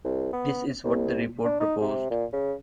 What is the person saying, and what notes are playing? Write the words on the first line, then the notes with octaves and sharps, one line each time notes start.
This is what the report proposed.
C2
B3
C2
D4
D#4
C3
A#2
C#3